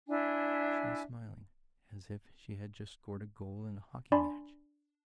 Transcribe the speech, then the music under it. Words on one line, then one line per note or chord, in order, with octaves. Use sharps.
She was smiling, as if she had just scored a goal in a hockey match.
D4 E4 E5 G#5
D4 D5 G#5 B5 C6